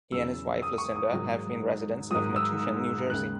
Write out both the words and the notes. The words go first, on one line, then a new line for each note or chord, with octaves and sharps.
He and his wife, Lucinda, have been residents of Metuchen, New Jersey.
E2 C#3 F#3 E6
D#6
C#6
D#6
G#2 D#3 F#3
G#2 D#3 F#3 D#6
E6
D#2 C#3 G#3 F#6